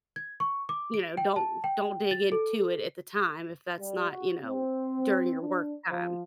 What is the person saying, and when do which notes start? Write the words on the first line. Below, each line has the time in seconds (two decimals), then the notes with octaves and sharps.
you know, don't don't dig into it at the time if that's not, you know, during your work time.
0.16 G#6
0.40 C#6
0.69 D6
0.94 D7
1.17 G5
1.36 A5
1.64 G5
2.11 A6
2.32 A4
3.79 G3
4.10 F#4
4.43 C4
5.41 D4
5.90 F3